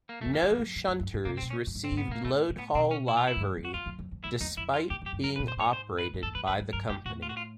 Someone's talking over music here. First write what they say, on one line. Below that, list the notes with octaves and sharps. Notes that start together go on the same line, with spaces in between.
No shunters received Loadhaul livery despite being operated by the company.
A#3
F2 A3
A#3
F#2
F2
F#2
F#2
F#2
G2
G2
C3 A#3
C4
B2
C#4
G2
G#2
C4
G#2
B3
A2 A#3
A2 A3
A2
B3
B2 C4
C#4
E4
F4
E4
G2
F#2
F2
F#4
E2 F4
F2
F2
F2
E2 E4
E2 D#4
F2 E4
F4
E2 G4
F2 G4
F#2
G2 A#4
B4
A#2
C5
G#2 C#5
C5
B4
G#2
G2 A4
G2 B4
F2 B4
F#2
G2 A#4
G#2 G4
A2 F#4
F4
F#4
F4